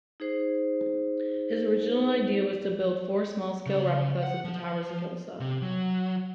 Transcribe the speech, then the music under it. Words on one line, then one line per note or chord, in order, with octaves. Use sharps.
His original idea was to build four small-scale replicas of the towers in Tulsa.
D#4 G#4 C5
C#3
F#5
F3
C3
F#3